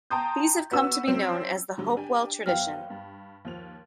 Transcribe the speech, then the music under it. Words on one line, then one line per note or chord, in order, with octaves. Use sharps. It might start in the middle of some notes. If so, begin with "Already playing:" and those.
These have come to be known as the Hopewell tradition.
G5 A5 A#5 C6 D#6 G6
B3 F#4 E6
F#3 C4 C#4
D3 F#3 G3
D4 G4 G#5
F#1 F#3 B3 F5 G5 F6
G2
D#2 F3 F7